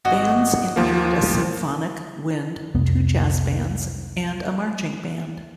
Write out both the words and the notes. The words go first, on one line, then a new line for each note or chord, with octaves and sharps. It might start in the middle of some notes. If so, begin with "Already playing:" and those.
Bands include a symphonic, wind, two jazz bands, and a marching band.
G#1 F#4 D#5 F#5
D#2 F3 A#3
C2 F2 B3